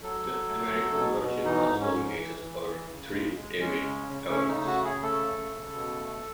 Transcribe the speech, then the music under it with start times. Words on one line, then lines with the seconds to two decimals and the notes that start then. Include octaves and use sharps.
The American version was nominated for three Emmy Awards.
0.02 F#3 A4
0.26 F#3
0.50 A3
0.74 F#3
0.97 B2
1.21 B2
1.45 E3 D#4
1.69 G#2
1.81 C#4
1.93 G#2
2.17 E3
2.40 E3
2.65 E3
2.89 C#3
3.11 G#3
3.35 G#3
3.60 G#3 C#4
3.84 C#3
4.07 C#3
4.30 A3 C#4
4.49 D#4
4.55 C#3
4.67 F#4
4.79 C#3
4.84 G#4
5.02 A3 A4
5.26 C#3
5.50 C#3
5.74 B2
5.97 A3